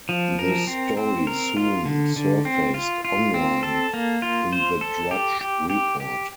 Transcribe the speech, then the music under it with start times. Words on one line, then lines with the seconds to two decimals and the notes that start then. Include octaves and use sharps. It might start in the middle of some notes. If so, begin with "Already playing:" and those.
The story soon surfaced online in the Drudge Report.
0.09 F3
0.39 A#4
0.67 C4
0.97 C4
1.27 A#4
1.57 F4
1.85 D3
2.16 D3
2.45 C4
2.74 F4
3.05 F4
3.34 C4
3.63 A4
3.94 A#3
4.22 F4
4.53 C5
4.81 A4
5.11 G4
5.41 G4
5.70 G4
6.00 G4